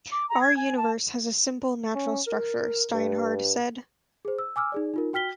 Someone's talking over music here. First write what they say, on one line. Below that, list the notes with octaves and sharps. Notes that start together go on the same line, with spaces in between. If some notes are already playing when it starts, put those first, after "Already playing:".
"Our universe has a simple, natural structure," Steinhardt said.
D6
A#5
G#6
G#5
A5
C#4
A#4
G2
G#4 C5
E6
G#5 D6 E6 F6
D#4 G#4 D5
D#4 F4 A#4
F#4 G5 F6 B6 G7